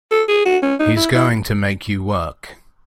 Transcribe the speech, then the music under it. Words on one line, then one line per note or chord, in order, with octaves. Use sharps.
He's going to make you work.
A4
G#4
F#4
C#4
D#4
E4
E4